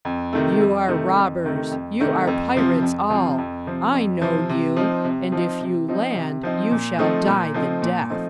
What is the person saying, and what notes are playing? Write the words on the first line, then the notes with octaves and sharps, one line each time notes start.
"You are robbers, you are pirates all; I know you; and if you land, you shall die the death."
F2
C3 D#3 A3
F2
C3 D#3 A3
F2
C3 D#3 A3
F2
C3 D#3 A3
F2
C3 F3 C4
F2
C3 F3 C4
F2
C3 F3 C4
F2
C3 F3 C4
C3
F3 C4 D#4
C3
F3 C4 D#4
C3
F3 C4 D#4
C3
F3 C4 D#4
A#2
F3 A3 C4 D#4
A#2
F3 A3 C4 D#4
A#2
F3 A3 C4 D#4